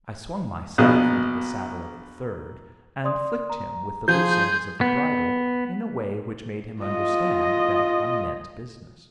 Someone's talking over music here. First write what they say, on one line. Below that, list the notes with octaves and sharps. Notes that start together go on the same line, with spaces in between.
I swung myself into the saddle of the third, and flicked him with the loose ends of the bridle in a way which made him understand that I meant business.
A#1 B2
D5 C6 D#6
A#5
F3 G#4 C6 G6
B3
F4 D#5